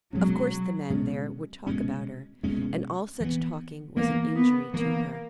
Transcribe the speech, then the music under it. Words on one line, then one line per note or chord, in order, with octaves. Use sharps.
Of course the men there would talk about her, and all such talking was an injury to her.
B2 F#3 G#3 C#4
B2 G#3 C#4
B2 G#3 C#4
B2 G#3 C#4
E3 B3
E3 A#3 B3
B3
E3 A#3 B3